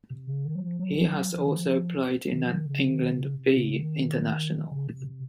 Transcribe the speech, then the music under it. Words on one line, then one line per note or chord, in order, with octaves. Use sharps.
He has also played in an England B international.
C3
C#3
D#3
F#3
F3
F#3
F3
F#3
F3
D#3
F3
D#3
F3
D#3
C#3
D#3
C#3
C3
C#3
D#3
C#3
C3
C3